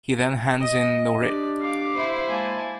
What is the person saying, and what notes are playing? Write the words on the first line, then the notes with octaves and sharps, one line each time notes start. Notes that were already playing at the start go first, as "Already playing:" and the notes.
He then hands in the writ.
D#5
D4 G4 D5
F5 D6
E4 C5
G#3 A#3 G#5 A5